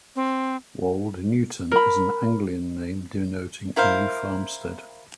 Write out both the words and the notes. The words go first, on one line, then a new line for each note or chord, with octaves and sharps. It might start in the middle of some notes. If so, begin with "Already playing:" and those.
Wold Newton is an Anglian name denoting a new farmstead.
C4
A#4 B5
E4 A#4 C5 F5